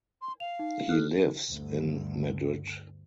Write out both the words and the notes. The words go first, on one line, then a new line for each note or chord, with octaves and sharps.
He lives in Madrid.
C6
F5 F7
D#4
A4 F6 F#6
D2 G2